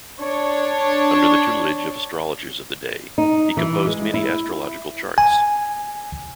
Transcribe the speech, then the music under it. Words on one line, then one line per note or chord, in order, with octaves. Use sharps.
Under the tutelage of astrologers of the day, he composed many astrological charts.
D4 C#5
D#4
E3
G#3
E4
G#5